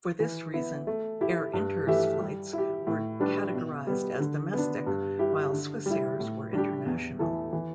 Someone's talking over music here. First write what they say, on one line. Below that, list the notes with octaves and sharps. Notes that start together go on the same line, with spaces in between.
For this reason, Air Inter's flights were categorised as domestic while Swissair's were international.
E3
B3 E4
A3
E4 G4
G2
E3 A3 G4 E5
G3
E4 G4
A2
G3 D4 B4 D5
B2
G3 B3
D3
B3 D4
G2
G3 E4 G4
D3
G3 E4
A2
G3 D4 G4
E2
E3 A3 E4 A4
E3